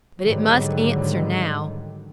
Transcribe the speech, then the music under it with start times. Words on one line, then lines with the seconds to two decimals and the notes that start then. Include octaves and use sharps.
But it must answer now.
0.22 G#2 D3 D#3 F#3 G3